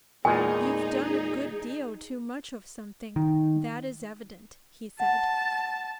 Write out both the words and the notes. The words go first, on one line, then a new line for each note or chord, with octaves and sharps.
"You've done a good deal too much of something, that is evident," he said.
E2 A#2 G#3 D#4 G#4 G#5
D#3
F#5 A5